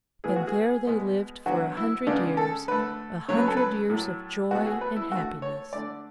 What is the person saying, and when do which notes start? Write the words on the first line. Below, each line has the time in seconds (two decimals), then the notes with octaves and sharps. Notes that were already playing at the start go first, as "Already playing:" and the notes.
And there they lived for a hundred years, a hundred years of joy and happiness.
0.24 A2 E3 B3 G#4
0.36 F#4
0.47 G#4
0.85 B2 G#3 B3
1.46 D3 F#3 B3 F#4
1.77 E4
2.07 C#3 G#3 B3 D4
2.37 A4
2.68 D3 A3 B4
3.29 C#3 F#3 A3 C#5
3.38 B4
3.48 A4
3.57 B4
3.90 A2 F#3 A3
4.51 B2 A3 F#4
4.61 F#4
4.66 G#4
4.81 B4
4.96 E4
5.12 D3 A3 F#4
5.42 C#5
5.73 D3 A3 D5